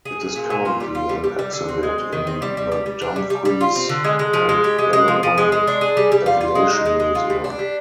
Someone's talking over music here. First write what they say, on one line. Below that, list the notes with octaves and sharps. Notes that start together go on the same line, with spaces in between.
It is currently an exhibit in the Dumfries and Galloway Aviation Museum.
G#4
G#4
A#2
A#2
F4
G3
F4
G3
G3
G3
D3
C4
G#3
C4
D#3
C4
G3
G3
G3
G3
D4
G3
G3
G3
F4
C4
D3
G#3
G#3
F3
G#3
G4
G#3
G#3
F3
F3
G#3
G#3
D4
G#4
G3
G3
F4
F4
G#3
D#4
G#3
G#3
F4
G3
D4
G3